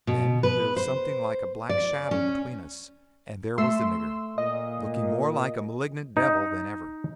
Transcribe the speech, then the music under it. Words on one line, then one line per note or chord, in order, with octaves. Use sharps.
Then there was something like a black shadow between us, and there was the nigger, looking more like a malignant devil than ever.
B2
B4
C5
D5
C#4
A3 C6 E6
A#2 D#5
D#4